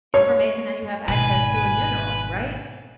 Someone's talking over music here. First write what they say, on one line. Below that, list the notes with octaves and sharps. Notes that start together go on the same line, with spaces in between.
information that you have access to in general, right?
C#5
G#1 G#2 B2 B4 G#5